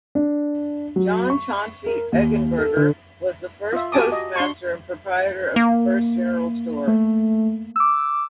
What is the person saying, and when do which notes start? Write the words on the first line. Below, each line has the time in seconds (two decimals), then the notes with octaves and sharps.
John Chauncey Eggenberger was the first postmaster and proprietor of the first general store.
0.15 D4
0.96 F#3
1.30 C#6
1.86 A#4
2.12 D#2
2.58 A4
2.77 D3
3.73 F4 E5
3.92 F#4 G4 G#5 A5 D6 D#6
4.12 D#5
4.36 D4 C6 C#6
5.56 A#3
6.88 A3
7.76 D6 E6